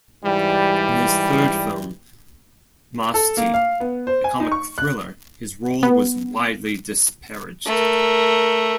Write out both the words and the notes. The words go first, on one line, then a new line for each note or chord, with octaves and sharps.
In his third film, "Masti", a comic thriller, his role was widely disparaged.
G#2 E3 G3
A4
A#3
F5
B3
C5
G#5
D#4
C#6
F#6
B3
A3 A#4